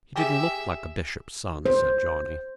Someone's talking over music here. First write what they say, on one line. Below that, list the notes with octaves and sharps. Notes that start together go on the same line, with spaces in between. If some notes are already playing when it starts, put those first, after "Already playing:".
"He didn't look like a bishop's son," said Johnny.
G4 G#4 E5
C5